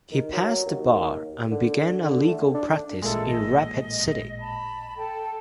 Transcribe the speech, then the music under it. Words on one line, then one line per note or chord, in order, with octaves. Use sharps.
He passed the bar, and began a legal practice in Rapid City.
D#3
F#3
D#2
D3
D3
A3
D4
A1 A#2 G#3 E4 A4
D#5
A5 B5
A4 G5 A5